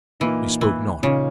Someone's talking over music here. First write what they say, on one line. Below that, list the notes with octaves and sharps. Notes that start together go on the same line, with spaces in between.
We spoke not.
A#2 E3 A#3 D#4
E3
A#2 C#3 A#3 D#4